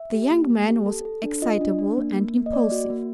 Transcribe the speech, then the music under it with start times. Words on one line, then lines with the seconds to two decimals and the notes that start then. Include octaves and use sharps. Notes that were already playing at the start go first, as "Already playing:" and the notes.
The young man was excitable and impulsive.
Already playing: E5
0.12 G4
0.31 A#3
0.50 A#3
0.68 G4
0.86 A4
1.05 A4
1.23 D4
1.42 F4 D#5
1.61 D4
1.79 D4
1.97 A#3
2.16 A#3
2.34 A#3
2.46 D#5
2.53 A#3 D5
2.72 F#4
2.90 A#3